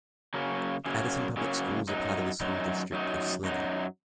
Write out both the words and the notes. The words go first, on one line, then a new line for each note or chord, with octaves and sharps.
Addison Public Schools are part of the School District of Slinger.
C#3 F#3 A#3 C#4
C#3 F#3 A#3 C#4
C#3 F#3 A#3 C#4
F#2 F#3 D#4
F#2 F#3 D#4
F#2 F#3 D#4
F#2 F#3 D#4